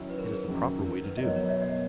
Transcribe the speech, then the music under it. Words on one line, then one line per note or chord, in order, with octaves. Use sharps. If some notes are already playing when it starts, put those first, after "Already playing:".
It is the proper way to do.
Already playing: D#3 F#3 C#4 E4
B4
A#4
G#4
A#4
F#2 D#3 F#3
A#4
B4
D#5
B2 F#3 B3 A#4 C#5
A#4 C#5
C#5 E5
D#5 F#5